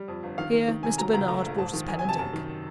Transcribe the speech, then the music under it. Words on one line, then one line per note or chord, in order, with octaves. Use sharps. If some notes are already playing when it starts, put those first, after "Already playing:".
Here Mr. Bernard brought us pen and ink.
Already playing: G3
F2
G1
D#3 F5
D#3
D#3
C3 G#5
F#3 A#5
C#2 A#5
A3 A#5
A#1
G#2 A5
D#3
E2 G#5
G#5
C3 A5
F#2 A5
D#3